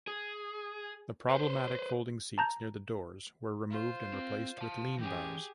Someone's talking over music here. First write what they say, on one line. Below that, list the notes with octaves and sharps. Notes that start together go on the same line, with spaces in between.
The problematic folding seats near the doors were removed and replaced with lean bars.
G#4
B4 C5
A5 A#5 G6
F4 C5
C4
F5 A5
E3 C#4 G4 G#4